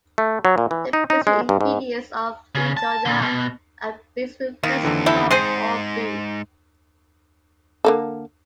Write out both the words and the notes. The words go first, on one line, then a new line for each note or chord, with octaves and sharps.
The basic ingredients of feijoada are beans with fresh pork or beef.
A3
F#3
A#2
E3
D#4
D#4
G#3
G2
G#2
C#3
A5
A#2 D3
B2
D#2 D#3 F5
F2 D3 E3
D4 E4 G4
G#2 C4 G#4 C5 D#6 C7 D#7
D3 A#3 A4